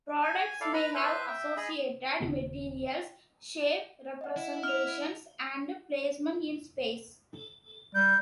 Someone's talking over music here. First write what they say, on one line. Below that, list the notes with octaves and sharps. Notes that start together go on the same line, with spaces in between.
Products may have associated materials, shape representations, and placement in space.
G#5
E4 A4 D5 F5
B4 A#5 B5
E4 B4 C5 E5
E5 G5
G#4 D#5 B5
D#1 C#3 B3 C4
D#5 F#5
E4
F6 F7
G3 G6